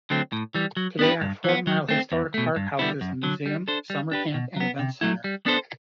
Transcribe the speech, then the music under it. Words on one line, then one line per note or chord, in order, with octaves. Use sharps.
Today Four Mile Historic Park houses a museum, summer camp, and events center.
D3 F#3 A3 C4
A2
E3 G3
F#3
B3 D4 G4 B4
G2
E3 B3
F#3
A3 C4
E2
B2 A3
G2
D3 G3 B3 E4
F#2
D3 F#3
G3
D4 A4 C5
G3
D4 G4 B4
B2
F#3 B3
C3
F#3 A3 E4
G3
B3 D4 A4 C5